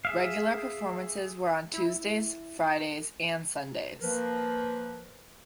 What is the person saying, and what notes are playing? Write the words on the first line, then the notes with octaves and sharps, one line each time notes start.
Regular performances were on Tuesdays, Fridays, and Sundays.
G#4 E5 F5
E4
F3 A#3 A#4 B4